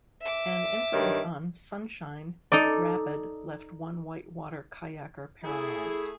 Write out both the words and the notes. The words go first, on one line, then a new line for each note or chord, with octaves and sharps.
An incident on "Sunshine" rapid left one whitewater kayaker paralyzed.
E5 D6
G2 D#3 C#5
D#4 A4 D5
A3 E4 G#4